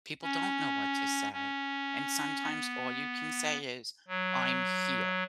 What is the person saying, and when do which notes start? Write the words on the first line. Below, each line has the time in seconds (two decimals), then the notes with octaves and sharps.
People don't know what to say, and sometimes all you can say is, "I'm here."
0.23 C#4
1.32 C#4
2.42 B3
4.08 F#3